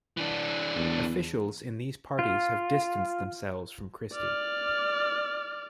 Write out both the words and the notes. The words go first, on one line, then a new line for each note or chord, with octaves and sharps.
Officials in these parties have distanced themselves from Christie.
E3 D4
E2
F4
D5 F6